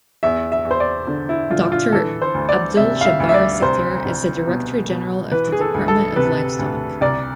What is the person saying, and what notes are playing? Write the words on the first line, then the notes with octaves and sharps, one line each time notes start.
Doctor Abdul Jabbar Sikder is the Director General of the Department of Livestock.
E2 E5
E5
E2
C5
D5
D3
E4
D3 F4
F4
E3 A4
C5
D2
D5
C3 E5
F5
E5
D2
E5
D5
C2 C5
C2
B2
B2
E3 B4
G#4
A4
D2
A4
C3 B4
D2
C2 D5